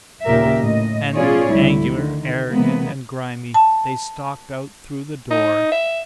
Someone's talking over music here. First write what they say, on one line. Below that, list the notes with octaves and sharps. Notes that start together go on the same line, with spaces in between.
And, angular, arrogant and grimy, they stalked out through the door.
D#2 A#2 C#3 G4 A#4 E5
A2 D#5
B2 C#4 F4 G#4 C#5 D5
D2 D3 G3 E4
D3 D#3
C3 E3 G#3 A#3 B3
A5
D#4
E5